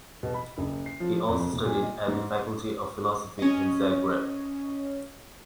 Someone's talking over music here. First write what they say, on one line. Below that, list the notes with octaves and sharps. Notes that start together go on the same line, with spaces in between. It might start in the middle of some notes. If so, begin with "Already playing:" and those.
He also studied at the Faculty of Philosophy in Zagreb.
B2
B5
F#1
C7
F3
F2
E1
A#2
D#5
G#2
C#4 D#5